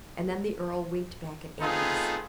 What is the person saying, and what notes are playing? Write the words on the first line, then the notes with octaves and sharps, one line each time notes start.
And then the earl winked back at Eames.
A3 B3 C4 D#4 F4 G#4